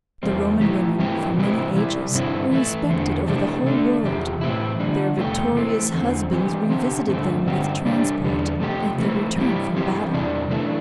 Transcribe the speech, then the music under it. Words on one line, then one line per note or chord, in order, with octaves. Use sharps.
The Roman women, for many ages, were respected over the whole world. Their victorious husbands re-visited them with transport, at their return from battle.
E2 C3 G3 C4
E3 A3 E4 G4
G2 E3 C4 E4 G4
C3 E3 C4 E4 G4
C3 G3 E4
G2 D3 C4 E4
E3 A3 E4
E2 D3 C4
C3 E3 A3 D4 G4
D3 A3 D4
E2 C3 G4
A2 E3 C4 E4
D3 G3 D4
E2 C3 A3 D4 G4
E3 A3 C4
E2 D3 C4
E3 C4 G4
D3 C4 G4
G2 D3 A3 C4
G2 D3 C4 G4
C3 G3 D4 G4
E2 D3 G3
C3 A3 D4 G4
E3 A3 C4
G2 G3 E4 G4
E3 C4 E4 G4
E2 C3 E3 G3 D4
E3 A3 D4